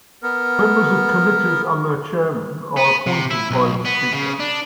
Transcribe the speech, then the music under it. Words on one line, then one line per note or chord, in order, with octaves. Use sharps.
Members of committees and their chairmen are appointed by the Speaker.
B3 A#4
B3
C3
E4
B1
B3
C#3
D4